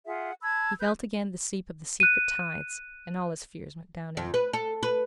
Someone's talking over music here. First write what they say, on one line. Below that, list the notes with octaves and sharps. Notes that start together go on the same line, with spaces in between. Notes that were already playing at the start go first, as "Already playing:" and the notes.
He felt again the sweep of the secret tides, and all his fears went down in them.
F4 G#4 E5 F#5
A5 B5 E6 G#6
B4 G6
F#6 D#7
F2
B4
A4
B4